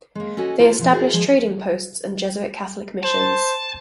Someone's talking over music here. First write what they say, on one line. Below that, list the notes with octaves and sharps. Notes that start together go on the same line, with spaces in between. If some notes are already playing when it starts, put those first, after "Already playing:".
They established trading posts and Jesuit Catholic missions.
G#3 A#3
C#4 F#4 A4 D#5 G#5
E4 F4 A4 A#4 C5
B2 F3
E4 F#4 G#4 A#4 D5 E5
F3 G#3 G#4 G#5
C5 A5